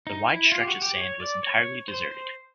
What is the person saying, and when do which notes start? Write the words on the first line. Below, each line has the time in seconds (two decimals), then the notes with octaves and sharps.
The wide stretch of sand was entirely deserted.
0.07 D#4
0.29 E4
0.52 F4
0.60 G4
0.68 F#4
0.82 G4
0.97 C#5
1.20 D5
1.43 C#5
1.88 C5
2.11 C5